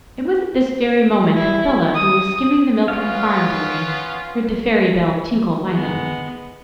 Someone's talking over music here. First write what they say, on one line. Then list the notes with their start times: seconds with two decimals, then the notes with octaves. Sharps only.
It was at this very moment that Bellah, who was skimming the milk in the farm dairy, heard the fairy bell tinkle violently.
1.36 E4
1.94 D#6
2.88 B3 C#4 F4 F5
5.68 G#3 B3